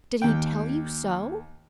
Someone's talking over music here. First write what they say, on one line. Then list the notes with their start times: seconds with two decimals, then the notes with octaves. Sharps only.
"Did he tell you so?"
0.22 D#2 G5